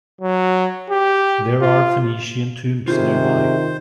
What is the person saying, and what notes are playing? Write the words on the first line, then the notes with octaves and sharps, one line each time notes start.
There are Phoenician tombs nearby.
F#3
G4
F4
C3 D#3 F4 G#4 C5